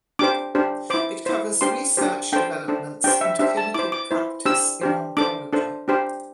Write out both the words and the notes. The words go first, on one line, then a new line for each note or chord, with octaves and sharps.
It covers research developments and clinical practice in oncology.
D4 G4 C5 D6
D4 G4 C5
E4 C5 D6
E4 C5
D4 G4 C5 C6
D4 G4 C5
D4 A4 C5 G5
D4 A4 C5
D4 G4 C5 G5
E5
D4 G4 C5 E5
A5
E4 C5 D6
D6
E4 C5
D4 G4 C5 E6
D4 G4 C5
D4 A4 C5 D6
D4 A4 C5
D4 G4 C5